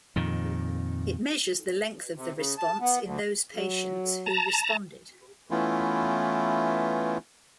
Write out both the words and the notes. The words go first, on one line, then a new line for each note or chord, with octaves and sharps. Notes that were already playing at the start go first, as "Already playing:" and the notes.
It measures the length of the response in those patients who responded.
F2 A#2 D#3
C3
C#3
A5
B3
D2
F#3
A5 A#5
E3 A3 B3 C#4 E4 F4